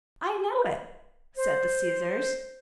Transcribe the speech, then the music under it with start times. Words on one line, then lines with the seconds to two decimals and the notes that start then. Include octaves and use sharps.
"I know it," said the scissors.
1.37 C5